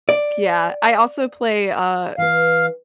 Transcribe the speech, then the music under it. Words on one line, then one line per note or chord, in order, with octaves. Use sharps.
Yeah, I also play, uh,
D5
E3 B4 F5